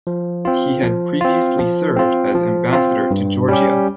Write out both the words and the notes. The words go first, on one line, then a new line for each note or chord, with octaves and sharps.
He had previously served as Ambassador to Georgia.
F3
C4 F4
F3
C4 F4
F3
C4 F4
F3
C4 F4
G2
G3 C#4 G4